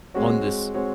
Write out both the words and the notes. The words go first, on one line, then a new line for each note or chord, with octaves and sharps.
on this,
G#3 C4 F#4 C#5
G#3 C4 F#4 C#5